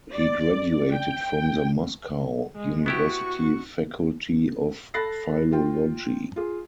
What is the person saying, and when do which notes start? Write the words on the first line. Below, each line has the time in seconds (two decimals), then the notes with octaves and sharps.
He graduated from the Moscow University faculty of philology.
0.14 D5
0.91 G5
2.56 G#3
2.86 B3 E4 F#4 G4 C#6
4.94 A4 B5 F#6 A6 A#6 C7
5.52 F4 G5
6.36 F4 G#4